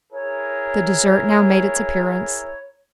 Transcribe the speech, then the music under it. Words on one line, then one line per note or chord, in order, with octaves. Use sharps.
The dessert now made its appearance.
E4 G#4 A#4 C#5